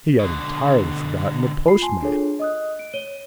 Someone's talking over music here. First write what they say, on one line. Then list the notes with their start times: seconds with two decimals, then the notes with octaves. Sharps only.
He had entirely forgotten the postman!
0.19 B2 D3
1.68 F4 B5 C7
1.82 G#5 A5 C6
2.02 D4 F4 G#4 A4 C#5
2.40 D#5 D#6 F#6
2.79 D7
2.93 C#5 D#7 G7